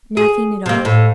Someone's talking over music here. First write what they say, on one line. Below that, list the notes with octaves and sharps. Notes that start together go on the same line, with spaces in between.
Nothing at all.
G#4
C3 A#3
A2